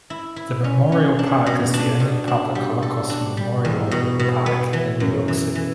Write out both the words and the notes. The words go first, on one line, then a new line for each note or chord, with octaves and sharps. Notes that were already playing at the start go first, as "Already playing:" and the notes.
The Memorial Park is the only public Holocaust memorial park in New York City.
E4
E4
C#4
C#4
D4
B2
D4
B2
D4
G3
A4
D4
G3
E2
B2
B2
B3
E3
F#2
E3
E3